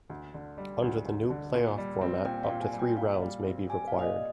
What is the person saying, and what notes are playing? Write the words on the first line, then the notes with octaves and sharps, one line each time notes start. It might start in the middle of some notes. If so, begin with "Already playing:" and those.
Under the new playoff format, up to three rounds may be required.
D2
D3
G3
D2
D2
D3
A#2
G3
C4
A#2 G5
F5
A#2
G#5
G3
G5
A#2 F5
G3
C4
G4 G#5
F5
A#2
D#5
D5